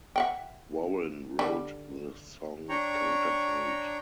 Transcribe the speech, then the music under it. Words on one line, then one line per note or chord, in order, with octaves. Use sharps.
Warren wrote the song Counterfeit.
E5 F#5 G5
D3 G3
D4 C#5 G5 A#5 C#6